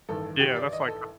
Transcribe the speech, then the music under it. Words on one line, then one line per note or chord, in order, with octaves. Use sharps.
Yeah, that's like
A1 G2 D#3 A4
G4
D5
D#5
A4